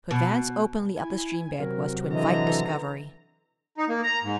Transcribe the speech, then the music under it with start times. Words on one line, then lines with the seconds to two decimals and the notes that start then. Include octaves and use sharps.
To advance openly up the stream bed was to invite discovery.
0.11 B2
0.96 E4 G#5
1.59 C3 F#3 A#4
2.11 D3 E3 D#5 A#5
3.78 D#4
3.89 A#3
4.03 A#5
4.23 G#2